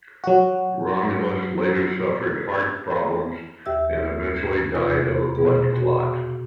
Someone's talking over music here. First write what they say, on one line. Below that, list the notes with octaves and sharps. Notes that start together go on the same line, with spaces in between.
Romulus later suffered heart problems and eventually died of a blood clot.
F#3 F#4
D#2 G4 E5 E6
E2 C3 D#4 F4 B4 C#6
B2 B3 G#4
F#4